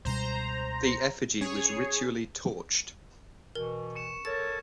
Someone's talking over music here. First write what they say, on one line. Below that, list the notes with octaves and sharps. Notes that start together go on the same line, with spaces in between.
The effigy was ritually torched.
C#2 B2 G3 C5 A#5
C#4 G#4 C#5
B2 E3 A#4
C#6 C#7 E7
A4 A#4 C#5 A6